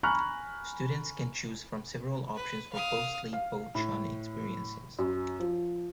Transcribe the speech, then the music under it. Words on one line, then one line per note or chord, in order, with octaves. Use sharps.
Students can choose from several options for post-Li Po Chun experiences.
G#5 A#5 B5 C#6 F6 F#6
B4
F5 D#6
F5
A2
F#2
F3